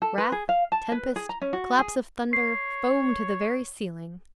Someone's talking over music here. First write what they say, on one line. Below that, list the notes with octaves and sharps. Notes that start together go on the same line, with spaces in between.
Wrath, tempest, claps of thunder, foam to the very ceiling.
A4
B4
G#4
F5
A5
B4
G#4
A#5
C#4
F#4
G#4
C#5 C7